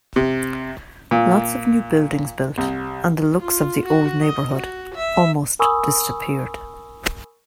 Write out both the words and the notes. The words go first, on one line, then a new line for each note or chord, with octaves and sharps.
Lots of new buildings built and the looks of the old neighbourhood almost disappeared.
C3
A#2
C2
F4
F#4
D#5
F#4
E5
A#4 G#5 B5 C#6 D#6 E6